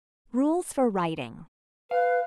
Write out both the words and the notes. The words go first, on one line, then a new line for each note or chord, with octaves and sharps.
Rules for Riding.
B4 F5